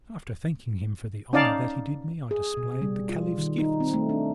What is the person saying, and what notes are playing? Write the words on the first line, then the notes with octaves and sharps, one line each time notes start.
After thanking him for the honour that he did me, I displayed the Caliph's gifts.
C#4 D#4 D5 F5 A5
G#4
B2
G3
F4
D#3
D#4
C4
A3
D4